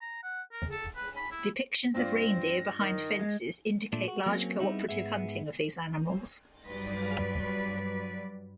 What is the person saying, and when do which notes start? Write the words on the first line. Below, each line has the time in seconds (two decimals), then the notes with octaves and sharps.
Depictions of reindeer behind fences indicate large cooperative hunting of these animals.
0.01 A#5
0.23 F#5
0.52 A#4
0.71 A4
0.96 B4
1.16 B5
1.31 E4
1.95 G2 C4 F4 D5 A#6
2.81 D#3
3.19 G#3
3.93 A#2 A3 D4
4.08 F#4
4.26 F#3 A#3 C4 C#4
4.60 G3 B3 C4 D#4 E4
4.89 G#2 B3 G#4 E5
6.67 G2 F#3 G3 B4 D5